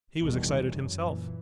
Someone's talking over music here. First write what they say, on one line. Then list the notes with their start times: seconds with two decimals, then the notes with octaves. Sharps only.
He was excited himself.
0.20 G#1 E2 B2 D#3 G3
0.66 F#2
1.04 A#2 E3